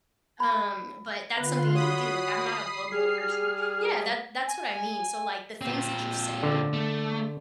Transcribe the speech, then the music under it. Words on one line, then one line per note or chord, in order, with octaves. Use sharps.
Um, but that's something he would do, like, I'm not a low blow person. Yeah, that that's what I mean. So, like, the things that you say,
B5
D3 B3 F4 B4 C6 F#6
F#4 C#5 B5 D#6 C7
G3 G#4 F6
G#5
A#2 C4
D3
A3